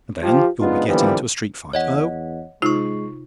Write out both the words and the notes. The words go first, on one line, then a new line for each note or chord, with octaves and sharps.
And then you'll be getting into a street fight--oh!
F3 G4
C#2 G#2 B3 D4 D#4 F4
D3 E3 F3 G3 A#3 B3
E2 C#5 D#5 F#5
C3 G#3 D#4 F4 C#6 C7